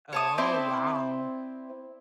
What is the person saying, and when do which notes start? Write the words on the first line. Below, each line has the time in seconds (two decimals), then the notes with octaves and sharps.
Oh, wow.
0.13 C#5 A5 D#6
0.38 C4 E4 C5 D5